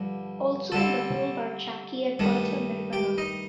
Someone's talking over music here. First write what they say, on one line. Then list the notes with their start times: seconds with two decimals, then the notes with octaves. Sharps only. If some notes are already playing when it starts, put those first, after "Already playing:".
Also on the bill were Jackie Edwards and Nirvana.
Already playing: G2 D3 F3
0.72 D3 G3 C4 A4 A5
2.19 G2 D#3 A3
2.93 G4 G5
3.18 D#4 D#5